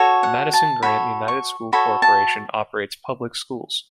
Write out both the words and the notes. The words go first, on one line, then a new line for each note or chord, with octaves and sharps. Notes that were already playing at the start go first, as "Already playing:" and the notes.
Madison-Grant United School Corporation operates public schools.
Already playing: F#4 A4 C#5
F#5
A5
F#4 A4 C#5 B5
C#6
F#4 A4 C#5 B5
A5